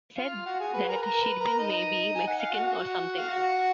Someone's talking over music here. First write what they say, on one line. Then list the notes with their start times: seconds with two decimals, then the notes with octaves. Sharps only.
He said that she'd been 'maybe Mexican or something.
0.17 F4 F5
0.46 F#4 F#5
0.60 G#4 G#5
0.74 B4 B5
0.89 A#4 A#5
0.98 B5
1.03 A#4 A#5
1.21 B4 B5
1.40 A#4 A#5
1.59 D#4 D#5
2.15 G#5
2.28 F#5
2.39 F5
2.51 F#4 F#5
3.17 F5
3.28 F#4 F#5